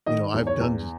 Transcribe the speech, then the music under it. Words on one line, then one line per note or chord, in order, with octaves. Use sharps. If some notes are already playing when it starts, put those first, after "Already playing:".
you know, I've done j
D#3 D#5
E2
C#5
E2